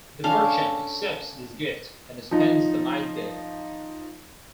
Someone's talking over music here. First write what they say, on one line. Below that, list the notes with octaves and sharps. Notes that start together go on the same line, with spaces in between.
The merchant accepts this gift and spends the night there.
C#4 D4 A4 F5
F3 D#4